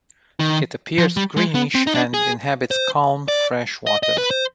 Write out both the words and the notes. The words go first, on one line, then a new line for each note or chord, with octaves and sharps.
It appears greenish and inhabits calm, fresh water.
D#3
F3
G3
G#3
B3
C4
D#4
D4
G#4
C5
D5
D#5
D#5
B4
C5